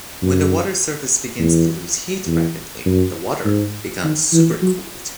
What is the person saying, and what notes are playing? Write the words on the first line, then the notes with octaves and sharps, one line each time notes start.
When the water surface begins to lose heat rapidly, the water becomes supercooled.
F#2
E2
E2
F#2
G#2
D#3
E3
F#3